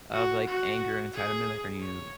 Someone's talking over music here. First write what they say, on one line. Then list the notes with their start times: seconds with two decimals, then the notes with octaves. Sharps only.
of, like, anger and entitlement, like, are you,
0.14 F#4
0.47 F#4
1.14 G#4
1.80 C#5